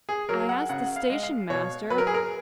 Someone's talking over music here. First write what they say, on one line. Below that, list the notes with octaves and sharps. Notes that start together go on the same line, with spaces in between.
I asked the station-master.
G#4
F#3 A#4
F#5
C#3 F#5
F5
G#3
F5
B2 C#5
F#3 B4
A#4
G#4
A#4